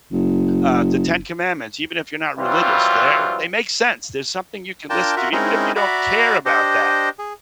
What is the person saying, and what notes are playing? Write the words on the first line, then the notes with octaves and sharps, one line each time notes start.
uh, The Ten Commandments, even if you're not religious, they're they make sense. There's something you can listen to, even if you don't care about that.
F#1
E3 F#3 G3 C4 F4
D4 F4 A#4 G5 A5
F4 F#4 A#4 E5
G#3 C4 C#4 D#4 E4 A#4
F#4 D5 E5 A#5 B5
D4 G4 C5 D#5
G#4